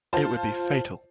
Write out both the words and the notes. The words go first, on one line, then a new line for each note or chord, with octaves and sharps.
It would be fatal.
F4 C5 A5